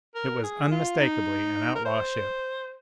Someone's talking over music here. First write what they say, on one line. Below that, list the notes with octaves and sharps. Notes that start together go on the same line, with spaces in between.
It was unmistakably an outlaw ship.
A#4
G#4
F4
D#4
A#4
C5